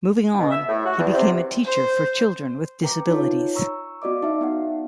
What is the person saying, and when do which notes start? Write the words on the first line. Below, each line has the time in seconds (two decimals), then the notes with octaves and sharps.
Moving on, he became a teacher for children with disabilities.
0.39 B2
0.51 E5
0.69 A2
0.85 F#4
0.98 E2
1.14 C3
1.65 C5
2.82 B4 G5 A#5 D6
3.08 D#4 F4 C#5
3.55 A#5 C#6 E6
4.02 B3 F#4 D5 D#5 D6
4.23 D#4 E5
4.41 B3 D#4 F#5